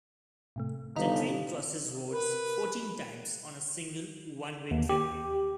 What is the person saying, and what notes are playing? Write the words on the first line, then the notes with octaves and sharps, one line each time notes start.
The train crosses roads fourteen times on a single one-way trip.
A2 C3 A3
G1 D#3 G3 D#4 B4 F5
A#4 B4
D#2
G4